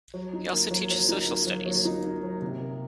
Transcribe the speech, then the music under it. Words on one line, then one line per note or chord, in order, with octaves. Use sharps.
He also teaches social studies.
F#3
D#4
A#3
F#3
F#3
D#4
A#3
F#3
F#3
D#4
A#3
F#3
C3
A#3